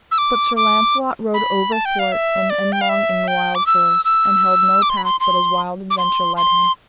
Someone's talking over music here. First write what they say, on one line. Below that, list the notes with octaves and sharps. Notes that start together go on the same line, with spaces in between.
But Sir Launcelot rode overthwart and endlong in a wild forest, and held no path but as wild adventure led him.
E6
D6
D6
B5
A5
G5
F5
E5
D5
G5
F5
E5
G5
D6
E6
E6
D6
C6
B5
C6
C6
D6
C6
C6